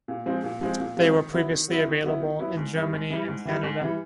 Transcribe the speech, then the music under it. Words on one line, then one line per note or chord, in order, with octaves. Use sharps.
They were previously available in Germany and Canada.
A#2
F3 G#3 C4
A#2
F3 G#3 C4
A#2
F3 G#3 C4
D#3
F#3 B3 E4
D#3
F#3 B3 E4
D#3
F#3 B3 E4
D#3
F#3 B3 E4
G#2
E3 G3
G#2
E3 G3
G#2
E3 G3
G#2
E3 G3